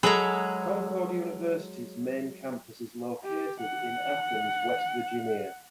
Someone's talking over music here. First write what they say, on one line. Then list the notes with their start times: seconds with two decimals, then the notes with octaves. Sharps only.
Concord University's main campus is located in Athens, West Virginia.
0.03 F#3 G#3 G#4 A4 A#5 B5
3.24 G4
3.61 F#5